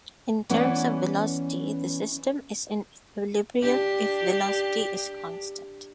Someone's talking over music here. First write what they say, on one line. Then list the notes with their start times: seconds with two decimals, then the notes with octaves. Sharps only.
In terms of velocity, the system is in equilibrium if velocity is constant.
0.50 E3 B3 C#4 E4 D5
3.60 D4 G4